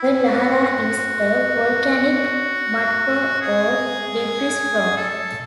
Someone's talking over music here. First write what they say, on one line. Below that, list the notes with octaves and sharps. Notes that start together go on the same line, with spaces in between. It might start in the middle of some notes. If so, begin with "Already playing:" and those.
A lahar is a volcanic mudflow or debris flow.
Already playing: E4
F#4
G#4
A4